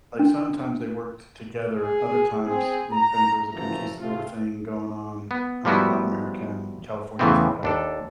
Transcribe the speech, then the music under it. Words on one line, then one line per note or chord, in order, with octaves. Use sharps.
like, sometimes they worked together, other times, you know, depending if it was a conquistador thing going on, um, Latin America and California s type,
D4
G#4
C4 G#4
A#5
F#1 F#2 E3 F3 A3 A#5
C3 A3 C4 F4
B3
F3 G3 A#3 B3 E4 F#4
E2 A2 C#3 E3 B3 C4
D#2 D4 A4